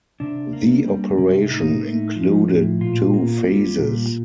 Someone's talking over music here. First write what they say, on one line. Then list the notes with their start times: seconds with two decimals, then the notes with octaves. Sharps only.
The operation included two phases.
0.20 C3 D4
0.53 A#3
0.85 G3
1.18 C3
1.50 A2 D#4
1.83 A3
2.16 F3
2.48 A2
2.81 A#2 F4
3.13 A#3
3.46 G3
3.78 A#2